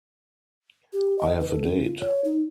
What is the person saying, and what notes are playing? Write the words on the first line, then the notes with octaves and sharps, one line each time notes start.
I have a date.
G4
D#5
B4
A4
C#4
F4
C#5
D#4